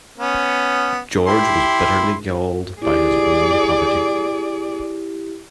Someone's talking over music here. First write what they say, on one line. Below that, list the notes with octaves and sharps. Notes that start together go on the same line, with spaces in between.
George was bitterly galled by his own poverty.
B3 C#4
E4 G4 C6
E4 G4 G#4 D5